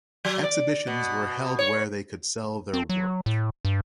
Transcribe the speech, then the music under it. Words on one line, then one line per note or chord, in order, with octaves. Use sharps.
Exhibitions were held where they could sell their work.
F#3
D5
B2
C#5
C4
F#3
A2
G2